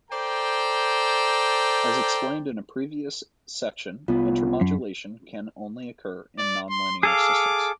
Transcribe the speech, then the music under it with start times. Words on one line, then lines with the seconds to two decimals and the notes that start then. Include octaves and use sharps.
As explained in a previous section, intermodulation can only occur in non-linear systems.
0.11 A4 C5 D5 G5 A#5
4.08 C2 B3 F4
4.61 F#2
6.38 D5
6.70 C6
7.03 G#4 A4 F5 D6